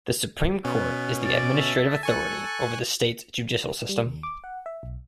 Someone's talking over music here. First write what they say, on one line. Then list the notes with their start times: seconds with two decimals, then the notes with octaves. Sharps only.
The Supreme Court is the administrative authority over the state's judicial system.
0.65 B2 B3 C#4
1.23 D5
1.57 E5 A5
2.03 A4 G#5 C#6 F#6
3.89 G3
4.06 D#2
4.23 D6
4.44 F#5
4.66 E5
4.83 B1